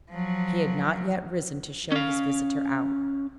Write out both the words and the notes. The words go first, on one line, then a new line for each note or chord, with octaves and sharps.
He had not yet risen to show his visitor out.
F3 F#3
C#4 F5